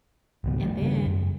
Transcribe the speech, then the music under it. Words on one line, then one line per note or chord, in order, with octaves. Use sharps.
And then,
G#1 C#2 B2
D#3 G#3 A3
G2 C#3
F#2